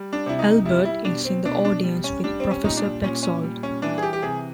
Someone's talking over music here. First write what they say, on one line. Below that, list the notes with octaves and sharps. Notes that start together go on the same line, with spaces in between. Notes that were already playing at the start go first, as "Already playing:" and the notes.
Albert is in the audience with Professor Petzold.
Already playing: G3
D4
C3 E4
D#4
G3 E4
E4
B2 D4
C4
B2 D4
D4
G3
C#4
G3 D4
C4
C#4
A#2 D#4
D4
A#2 C#4
C#4
G3
C#4
E3 D4
G#4
G4
G4
C3 G#4